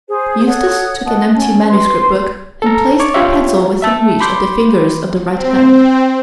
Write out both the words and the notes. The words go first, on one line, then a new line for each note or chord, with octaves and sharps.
Eustace took an empty manuscript book and placed a pencil within reach of the fingers of the right hand.
G#4 C5
A4 C#5 F#5 D#6
D#5 F#5 A5 D#6
C#4 A5
B4 C6
A4 A#5
C#5 C#6 D6
F4 G4 C#5 E5
E5 A5 E6
B5 C6 D6 G6
C4